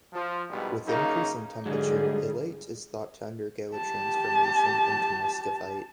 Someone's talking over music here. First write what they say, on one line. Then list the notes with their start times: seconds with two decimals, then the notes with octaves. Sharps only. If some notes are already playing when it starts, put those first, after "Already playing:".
With increasing temperature, illite is thought to undergo a transformation into muscovite.
0.13 F3
0.49 A#1 G#2 B2 G3
0.86 F#2 C#3 A#3 D#4
1.66 G#2 D3 F#3 G3 G#4
3.73 G4 A5